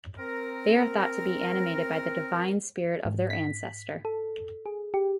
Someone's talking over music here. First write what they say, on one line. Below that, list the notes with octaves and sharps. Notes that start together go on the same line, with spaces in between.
They are thought to be animated by the divine spirit of their ancestor.
C4 A#4
G#2
B6
A4
G#4
G4